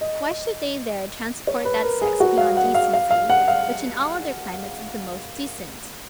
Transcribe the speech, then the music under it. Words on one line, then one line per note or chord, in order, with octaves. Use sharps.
Why should they there transport that sex beyond decency, which in all other climates is the most decent?
D#5
C#5
B4
A#4
G#4
F#4
F5
F#5
F5
F5
F5
F#5
F5